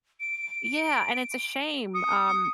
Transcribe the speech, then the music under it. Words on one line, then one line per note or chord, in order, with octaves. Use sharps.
yeah, and it's a shame, um,
D7
D#6 C#7